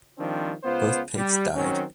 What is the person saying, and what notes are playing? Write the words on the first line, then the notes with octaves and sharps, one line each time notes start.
Both pigs died.
D#3 F3 G3 C4 D4
C#2 B3 F4 C5
G3
D#3 F#3 C4 C#4